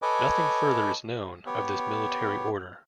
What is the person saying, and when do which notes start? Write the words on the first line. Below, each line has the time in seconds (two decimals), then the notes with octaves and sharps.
Nothing further is known of this military order.
0.02 A4 B4 C#5 D#5 G#5 D6
1.46 B3 G4 C#5